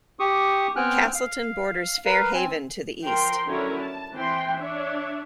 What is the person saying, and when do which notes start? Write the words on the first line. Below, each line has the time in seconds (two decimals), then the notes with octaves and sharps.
Castleton borders Fair Haven to the east.
0.20 G4 C#6 D#6
0.76 B3 C4 G5 G#5 F6 F#6
1.15 F5
2.05 A#4 B4 F5
2.34 C4 G#5
3.02 F3 A#4 G5 C6
3.46 D3 F#3 C#4 E4 A#4 C#5
3.81 A5
4.14 E3 C4 G5 C6
4.59 D4 C#5 E5